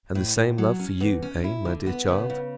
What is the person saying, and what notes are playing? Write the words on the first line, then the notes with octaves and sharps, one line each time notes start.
"And the same love for you--eh, my dear child?"
A2
A2
F#3
C#4
E2
C#4
E4
D3
B3
C#3
C#3